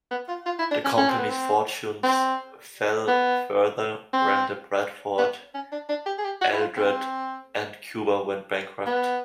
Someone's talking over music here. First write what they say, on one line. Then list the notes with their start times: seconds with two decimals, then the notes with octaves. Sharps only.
The company's fortunes fell further when the Bradford, Eldred and Cuba went bankrupt.
0.11 B3
0.28 F4
0.46 F4
0.59 E4
0.71 D4
0.85 C#4
0.98 C#4
1.09 C4
1.19 B3
1.29 C4
2.03 C4
3.08 B3
4.13 C4
5.18 B3
5.54 C#4
5.72 D4
5.89 D4
6.06 G4
6.18 G#4
6.25 G4
6.42 F#4
6.53 E4
6.60 F4
6.77 C4
8.86 B3